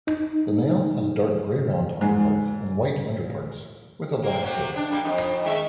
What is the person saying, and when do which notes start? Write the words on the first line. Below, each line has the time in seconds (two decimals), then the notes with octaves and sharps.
The male has dark grey-brown upperparts and white underparts, with a black throat.
0.07 D#4
2.01 G#2
4.23 A#3 C4
4.43 C3 F#3
4.76 D4
4.90 G3 A#3
5.04 F2 B3 D#4
5.45 D#3 G#3 E5